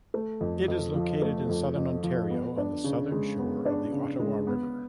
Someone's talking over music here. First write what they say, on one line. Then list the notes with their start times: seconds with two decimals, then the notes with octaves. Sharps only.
It is located in Southern Ontario on the southern shore of the Ottawa River.
0.14 A3
0.41 F2
0.68 F2
0.94 F3
1.22 A3
1.49 F2
1.76 F2
2.03 F3
2.30 B3
2.57 D4
2.84 C#3
3.12 G#3
3.39 B3
3.65 D4
3.92 C#3
4.20 G#3
4.47 B3